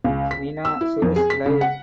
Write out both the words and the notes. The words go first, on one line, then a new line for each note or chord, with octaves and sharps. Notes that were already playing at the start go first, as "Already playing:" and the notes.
Nina says "Live".
C#2
B6
E6
E4
F2
G#4
B6
C#3
F#5